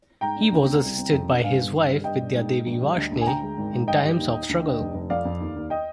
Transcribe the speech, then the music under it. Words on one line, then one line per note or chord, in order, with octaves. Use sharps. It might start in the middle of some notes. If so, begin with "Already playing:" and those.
He was assisted by his wife Vidya Devi Varshney in times of struggle.
G#2 G5 A#5
D4
D2
C4
C2
C4
F2
D4
G1 F5 G#5
G1
G1
G3
G2 D#5 G5
D4
G#2
D#4
A#1
G3
D2
D2
G#5
D2 G5 A#5
G#3
G#1
G#1
G1 D#5 G5
G3
D#2
D#4
D2
D4
F1
F1
F2 D5 F5
F2
D#2
D#2
D#5 G5